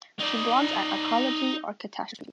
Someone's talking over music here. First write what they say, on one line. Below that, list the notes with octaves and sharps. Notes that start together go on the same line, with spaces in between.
She blogs at Ecology or Catastrophe.
D#4 D5